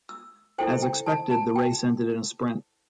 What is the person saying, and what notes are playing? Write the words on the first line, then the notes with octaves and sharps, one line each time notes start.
As expected the race ended in a sprint.
E6
E4 A4 C5 G5
G5
A5
A5
G5